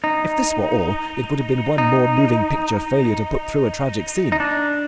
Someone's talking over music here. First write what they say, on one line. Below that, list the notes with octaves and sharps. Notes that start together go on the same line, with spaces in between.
If this were all, it would have been one more moving picture failure to put through a tragic scene.
D#4
D#4
D#4
D4